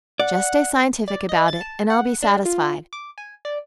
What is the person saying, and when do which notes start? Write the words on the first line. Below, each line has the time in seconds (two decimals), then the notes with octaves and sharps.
Just stay scientific about it and I'll be satisfied.
0.20 D5 F#5
1.08 D5
1.29 D#5
1.48 A6
1.61 A5
1.90 F#5
2.22 D4
2.45 F4
2.93 D6
3.18 G#5
3.45 D5